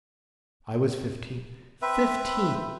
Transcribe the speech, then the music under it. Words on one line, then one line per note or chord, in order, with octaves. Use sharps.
I was fifteen--fifteen!
C4 B4 E5